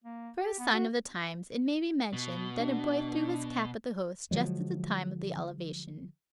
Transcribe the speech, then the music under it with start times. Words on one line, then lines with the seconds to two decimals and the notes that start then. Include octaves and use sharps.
For a sign of the times it may be mentioned that a boy threw his cap at the Host just at the time of the Elevation.
0.04 A#3
0.39 G4
0.59 B3
0.73 F#4
2.13 B2
2.59 D4
4.31 D3 F3 F#3 G#3